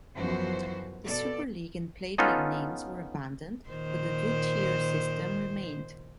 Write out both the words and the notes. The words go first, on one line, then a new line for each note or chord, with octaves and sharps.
The Super League and Plate League names were abandoned, but the two-tier system remained.
F#2 E3 F3 B3 F#4 C5
B2 A4 D5
B3 C#4 D#4 F4 A4
A#2 D#3 C5